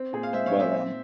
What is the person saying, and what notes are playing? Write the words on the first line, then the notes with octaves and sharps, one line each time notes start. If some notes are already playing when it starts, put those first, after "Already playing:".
But, um
Already playing: C4
A#2 G#4 C5
F5
G#3 C5 E5
C#5 F5
A#2
C5 E5
C4